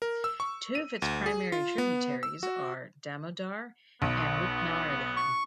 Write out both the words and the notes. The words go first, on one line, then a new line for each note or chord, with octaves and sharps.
Two of its primary tributaries are Damodar and Rupnarayan.
A#4
E6
C#6
D#7
D2
G#4
F4
B3
E6
F#4
B1 B3
C#6